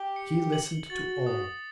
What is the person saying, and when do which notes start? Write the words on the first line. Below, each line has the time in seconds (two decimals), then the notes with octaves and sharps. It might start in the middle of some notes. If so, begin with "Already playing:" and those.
She listened to all.
Already playing: G4 G7
0.16 C#7
0.53 F#7
0.90 F#4 A6
1.26 D#6